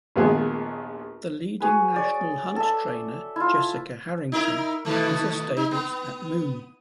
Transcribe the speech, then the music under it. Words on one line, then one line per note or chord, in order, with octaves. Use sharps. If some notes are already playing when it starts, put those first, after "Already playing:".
The leading National Hunt trainer Jessica Harrington has her stables at Moone.
A#1 D#2 F3 B3 G#4
F#4 G#4 B4
C#5 D5
A4 E5
E4 F4
D#4 E4 A#4
B2 D#3 A3
D#4
B3